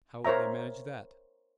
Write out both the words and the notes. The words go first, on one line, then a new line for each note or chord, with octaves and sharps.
"How will they manage that?"
A#4 C5 C#5 E5 A#5